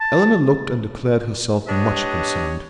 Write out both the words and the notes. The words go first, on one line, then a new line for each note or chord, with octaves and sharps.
Eleanor looked and declared herself much concerned.
A5
D4 G4 B4 C#5 D#5